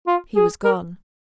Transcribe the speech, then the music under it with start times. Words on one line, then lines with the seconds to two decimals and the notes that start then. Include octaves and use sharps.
He was gone.
0.07 F4
0.36 G#4
0.65 A#4